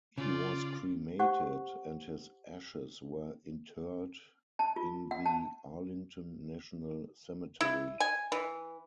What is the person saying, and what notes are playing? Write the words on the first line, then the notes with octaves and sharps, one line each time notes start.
He was cremated and his ashes were interred in the Arlington National Cemetery.
C#3 F4 D5
G4 C5 F#5 C#6
A5
F4
F#5
A5
E4
G#5
E3